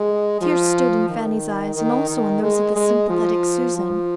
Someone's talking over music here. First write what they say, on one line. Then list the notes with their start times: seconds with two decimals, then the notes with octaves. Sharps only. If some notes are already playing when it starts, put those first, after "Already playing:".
Tears stood in Fanny's eyes and also in those of the sympathetic Susan.
Already playing: G#3
0.41 F3
1.08 D#3
1.75 D#3
2.09 D#3
2.42 G#3
2.76 G#3
3.09 F3
3.77 F3